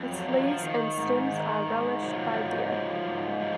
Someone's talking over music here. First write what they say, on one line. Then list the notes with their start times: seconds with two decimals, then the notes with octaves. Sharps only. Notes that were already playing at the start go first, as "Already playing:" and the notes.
Its leaves and stems are relished by deer.
Already playing: F2
0.11 F#3
0.28 F3 F#3
0.46 F3
0.63 D#3
0.98 G#2
1.32 D#3
1.67 G#2
2.02 F3 F#3
2.37 G#2
2.72 F3
3.07 G#2
3.41 F3 G#3